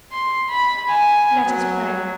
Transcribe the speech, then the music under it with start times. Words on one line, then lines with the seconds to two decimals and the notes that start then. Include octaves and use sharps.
"Let us pray."
0.12 C6
0.50 B5
0.88 G#5
1.46 F#3